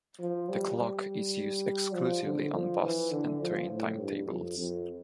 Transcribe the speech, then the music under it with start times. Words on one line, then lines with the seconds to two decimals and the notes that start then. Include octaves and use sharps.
The clock is used exclusively on bus and train timetables.
0.20 F3
0.49 G3
0.79 G3
1.94 F3
2.24 D3
2.53 F3
2.82 E3
3.11 D3
3.41 F3
3.70 A2
3.99 G2
4.28 F2
4.58 F2